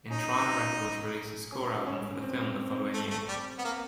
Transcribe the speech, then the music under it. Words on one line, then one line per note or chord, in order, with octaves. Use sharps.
Intrada Records released a score album for the film the following year.
C#4 D#4
C#4
C#4
C4
C4
C4
A3
A3
G3
B3
A#3